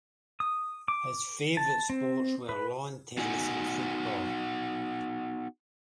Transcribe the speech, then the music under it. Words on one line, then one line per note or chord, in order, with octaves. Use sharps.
His favourite sports were lawn tennis and football.
D#6
D6
A5
C4
B4
B3 D#4 F#4 F#5 G#5